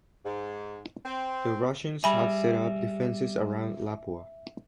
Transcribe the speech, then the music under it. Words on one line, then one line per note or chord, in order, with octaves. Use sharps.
The Russians had set up defences around Lapua.
G#2
C4
G3 G#4 E5 G#5 B5